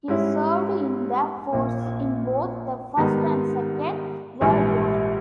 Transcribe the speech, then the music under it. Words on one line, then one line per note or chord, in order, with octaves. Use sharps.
He served in the forces in both the First and Second World Wars.
G#2 G3 C#4 E4
A#1 A#2 A#3
G#2 D#3 G3 B3 D#4
A#1 G#2 E3 G3